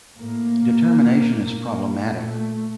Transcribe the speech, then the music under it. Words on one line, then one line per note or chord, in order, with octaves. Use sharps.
Determination is problematic.
A2 A#3
A#2
A#2 A#3
A#2 A3